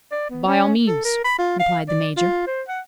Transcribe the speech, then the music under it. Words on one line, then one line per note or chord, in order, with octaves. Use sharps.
"By all means," replied the major.
D5
B3
C#4
A4
A#4
B5
F4
F5
D5
F4
C5
F#5